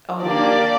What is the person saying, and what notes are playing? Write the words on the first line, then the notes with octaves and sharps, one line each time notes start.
Oh yeah.
A#3 D4 G4 D5